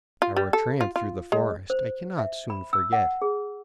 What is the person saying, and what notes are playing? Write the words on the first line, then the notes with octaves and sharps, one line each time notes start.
Our tramp through the forest I cannot soon forget.
F4
G3
A4
F4
F4
G#3
C5
E5
B5
E6
F#5
G#4